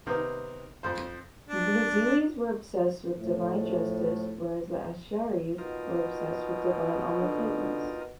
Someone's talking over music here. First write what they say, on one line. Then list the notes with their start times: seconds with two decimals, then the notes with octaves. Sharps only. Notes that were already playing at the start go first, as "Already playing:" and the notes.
Mu'tazilis were obsessed with Divine justice, whereas the Ash'aris were obsessed with Divine omnipotence.
0.06 C3 D#3 B3 C4 D#4 A#4
0.83 F2 C5
1.48 D4
3.18 A2 F3 A3
5.58 B2 D#4 F4 A#4
7.21 D3